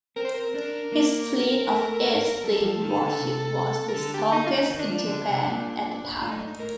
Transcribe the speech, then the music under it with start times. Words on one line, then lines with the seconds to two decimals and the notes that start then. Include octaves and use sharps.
His fleet of eight steam warships was the strongest in Japan at the time.
0.16 C4 A#4
0.25 C5
0.34 A#4
0.54 D4 A#4
0.92 A#3
1.67 A3
2.44 G3 A4
2.62 F3
2.82 D#3
3.00 D3
3.18 C3
3.88 A#4
3.94 D3 A4
4.14 G4
4.32 D#4
4.46 F4
4.52 D#4
4.70 D#3 D#4
4.79 D4
4.89 F3
4.95 D4
5.07 D3
5.27 C3
5.46 A#2
6.21 A2 F4
6.31 D#4
6.39 D4
6.47 D#4
6.59 A2 A#4